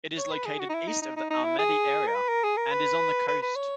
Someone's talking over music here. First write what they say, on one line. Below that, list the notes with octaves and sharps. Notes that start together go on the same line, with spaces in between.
It is located east of the Ahmadi area and is on the coast.
C#5
B4
G#4
F#4
D#4
E4
D#4
D#4
D#4
D#4
E4
G#4
A#4
B4
A#4
G#4
A#4
B4
B4
B4
C#5